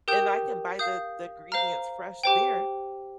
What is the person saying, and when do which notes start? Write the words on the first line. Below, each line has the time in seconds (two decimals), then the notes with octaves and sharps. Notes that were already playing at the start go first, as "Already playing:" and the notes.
and I can buy the the ingredients fresh there
0.08 G4 A#4 G5 D#6 G6
0.79 F5 D#6 G6
1.52 C5 F5 A#5 F6
2.24 G4 C5 G5